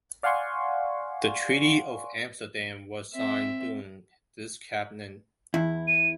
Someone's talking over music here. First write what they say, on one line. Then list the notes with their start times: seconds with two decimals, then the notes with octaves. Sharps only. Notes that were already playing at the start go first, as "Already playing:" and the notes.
The Treaty of Amsterdam was signed during this cabinet.
0.23 D5 F5 F#5 G#5 C6 C#6
3.14 C4 E5
5.54 E2 E4
5.87 D#7